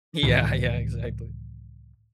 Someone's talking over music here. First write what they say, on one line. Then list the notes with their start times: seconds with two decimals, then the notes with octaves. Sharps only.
Yeah, yeah, exactly.
0.23 C#2 A2 D#3 E3